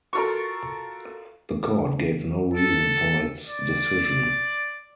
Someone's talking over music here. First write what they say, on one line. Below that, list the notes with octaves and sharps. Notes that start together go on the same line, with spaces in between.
The court gave no reason for its decision.
F4 F#4 A4 A#4 C#6
A4
D5